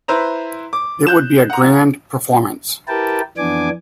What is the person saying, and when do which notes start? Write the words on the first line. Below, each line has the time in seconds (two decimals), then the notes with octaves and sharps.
It would be a grand performance.
0.08 E4 B4 C5 A#5
0.73 D6
1.07 F#6 G6 E7
1.50 F#5 A#5
2.88 E4 G4 A#4 B4 G5 A5
3.37 F2 E3 B3 D4 G#5 D6